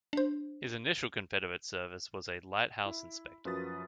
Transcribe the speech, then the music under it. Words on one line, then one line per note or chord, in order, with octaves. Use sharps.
His initial Confederate service was as a lighthouse inspector.
D4 C5
E4
F#2 F3 F#4 B4 D#6 A6